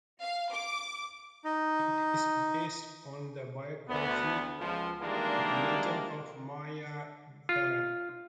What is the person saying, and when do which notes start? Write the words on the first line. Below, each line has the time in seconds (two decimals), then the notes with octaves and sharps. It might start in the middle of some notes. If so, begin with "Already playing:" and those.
It is based on the biography "The Legend of Maya Deren".
0.23 F5
0.52 D6
1.44 D#4
3.89 D2 B3
4.59 C#2 F3
5.01 D#3 E3 G3 G#3 A#3 D4
7.49 F4